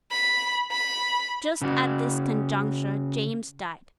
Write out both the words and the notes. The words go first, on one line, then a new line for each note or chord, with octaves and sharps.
Just at this conjuncture James died.
B5
B5
C#3 F#4